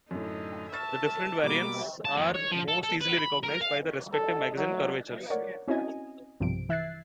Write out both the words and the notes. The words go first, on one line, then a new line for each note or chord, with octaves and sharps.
The different variants are most easily recognized by their respective magazine curvatures.
F#2 A2 D3 D#4
E5 A5 C#6 F6 A6
B2 G3 A#3 B5 D6
A5
F2
C#5
F3
A4
A4
B4
B5
A#4
F5
A4
F#3
A#4 C#5 D5 F#5
C4 C#4 E4 F#4 D#5 G#5
B1 G2 C3 F3 D7
E3 E5 F#6 G#6 A6 C7